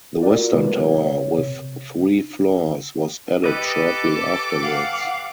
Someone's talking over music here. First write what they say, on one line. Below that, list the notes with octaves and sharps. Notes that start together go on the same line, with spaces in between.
The western tower with three floors was added shortly afterwards.
F4 F#4 A#4 D5
C3 F#3 G#3 A3 B3 B4
C#5
C3
G4 A4 B4 D#5 D6
F5 F#5